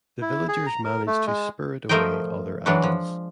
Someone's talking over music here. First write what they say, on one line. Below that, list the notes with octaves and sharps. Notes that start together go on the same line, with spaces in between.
The villagers managed to spirit away other idols.
E4
G#4
A#5
A#4
A3
G#3
F3 A3 A#4 C5 D#5 G5
E3 F#3 G#3 D4 F#4
F3